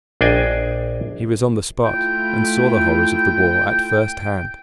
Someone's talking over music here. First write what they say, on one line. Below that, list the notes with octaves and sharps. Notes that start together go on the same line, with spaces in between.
He was on the spot, and saw the horrors of the war at first-hand.
A#1 D4 G#4 D#5 G5 G#5
A3 E4 F4 G5